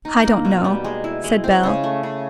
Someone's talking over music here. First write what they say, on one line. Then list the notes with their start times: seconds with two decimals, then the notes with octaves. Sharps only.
"I don't know," said Bell.
0.05 D#4
0.25 A#3
0.45 B2
0.64 G3
0.85 G#3
1.04 E4
1.24 G#3
1.44 C4
1.63 C#3
1.84 A3
2.03 C#3